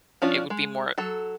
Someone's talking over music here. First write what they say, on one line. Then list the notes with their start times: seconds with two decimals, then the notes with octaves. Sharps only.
It would be more
0.22 F3 C#4 D4 F4
0.50 G#3
0.98 F#3 A4